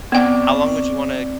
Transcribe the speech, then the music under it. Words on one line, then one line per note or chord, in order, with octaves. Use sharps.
How long would you wanna
B3 C4 D5 G5